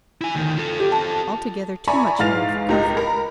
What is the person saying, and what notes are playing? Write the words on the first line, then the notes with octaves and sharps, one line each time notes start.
Altogether too much married for comfort.
E4 G#5
D2 D#3
F4 A4
G4
A5
D5 E5 G#5 A#5 B5 C#6
G#2 E3 F5 F6 A6 F7
C#2 D#4 G4 A#4 D#5 A#5
A#4 A#5 B5